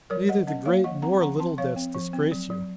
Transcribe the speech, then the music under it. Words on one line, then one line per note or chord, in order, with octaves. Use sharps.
Neither the great nor little debts disgrace you.
F#3 A#4 C#5
F#3 D#5 F#5
C#4 D#5 F#5
A#3 C#5 F5
F3 D#5 F#5
C4 F#5 A#5
F3 F#5 A#5
C4 A5 C6
F3 C#5 F5
C4
F3
C4
F#3
F#3